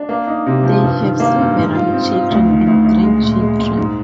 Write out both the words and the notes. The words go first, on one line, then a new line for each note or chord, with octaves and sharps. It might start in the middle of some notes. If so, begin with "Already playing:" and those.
They have several children and grand children.
Already playing: D4
A#3
D#4
C3
F3
G2
D#3
A#3
G2
G#2
F4
C4
F4
D2
D#3
D2
D2
G#3
A#2
G#3
A#2
G#2